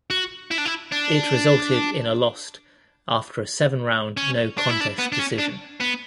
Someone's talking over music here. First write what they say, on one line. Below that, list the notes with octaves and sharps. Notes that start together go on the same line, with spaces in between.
It resulted in a lost after a seven round no contest decision.
F#4
E4
D4
E4
D4
C#4
D4
E4
D4
B3
D4
C#4
D4
B3